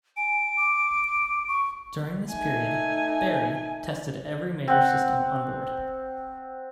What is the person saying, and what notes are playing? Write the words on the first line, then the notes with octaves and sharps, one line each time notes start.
During this period, "Barry" tested every major system on board.
G#5 D7
D6
C#6
A3 D#4 G#5
C4 F#5